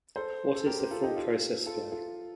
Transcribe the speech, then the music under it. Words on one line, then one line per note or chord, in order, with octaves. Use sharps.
What is the full process flow?
A4 C5
A4
G4 A#4
G4 A#4
F4 A4
D#4 G4
F4 A4
F4 A4
F4 A4